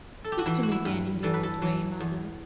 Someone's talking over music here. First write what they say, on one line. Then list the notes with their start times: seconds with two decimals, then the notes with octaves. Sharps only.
Speak to me again in the old way, mother.
0.24 A4
0.32 G4
0.39 F#4
0.46 E3 E4
0.63 F#4
0.72 E4
0.85 G2
1.23 E3 A4
1.34 B4
1.43 A4
1.62 E3
2.00 E2